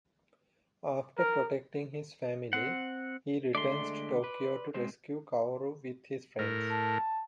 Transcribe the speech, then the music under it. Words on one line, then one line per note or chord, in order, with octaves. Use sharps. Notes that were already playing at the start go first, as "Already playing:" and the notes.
After protecting his family, he returns to Tokyo to rescue Kaoru with his friends.
A#4
C4 F#5
D3 G#3 A3 D5 C6
B4
G#3 C4 C5
A2 A#4
A5